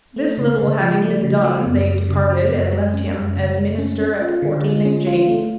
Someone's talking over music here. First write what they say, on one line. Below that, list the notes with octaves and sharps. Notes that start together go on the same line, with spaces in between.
This little having been done, they departed and left him as Minister at the Court of St. James.
A3
C#3
C#3
F3
A3
C#3
F#3
F#2
F#2
C#3
F#3
F#2
G#3
C#4
F#2
C#3
G#3
C#4
C#4
F4
D3
G#3
C#4
F4
A3